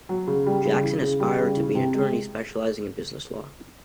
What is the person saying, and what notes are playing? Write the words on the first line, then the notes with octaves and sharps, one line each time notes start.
Jackson aspired to be an attorney specializing in business law.
F#3
C#3
G3
C#3
E3
C#3
G3
C#3
E3
C3
G#3